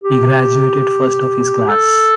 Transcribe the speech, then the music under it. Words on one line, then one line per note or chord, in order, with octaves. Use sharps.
He graduated first of his class.
G4
A4